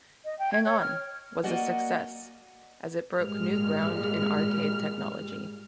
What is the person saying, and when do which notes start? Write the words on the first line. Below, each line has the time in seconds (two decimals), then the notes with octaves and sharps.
"Hang-On" was a success as it broke new ground in arcade technology.
0.25 D#5
0.39 G5
0.52 G#6
0.65 C#5
0.81 F6
1.43 A#3 F#4 D5 D#5 F#5 G#5
3.16 G#1 A#2 G3 G#3 F6